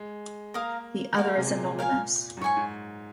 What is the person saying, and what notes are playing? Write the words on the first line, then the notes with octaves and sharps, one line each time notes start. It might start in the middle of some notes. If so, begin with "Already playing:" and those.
The other is anonymous.
Already playing: G#3
A#3 A#4 F5 A#5 D#6
A#3 F#4 A#4 F5
G#3
C3
A#2
A#4 F5 G#5
F#2
G#2 C#5 G#5 C#6
G#2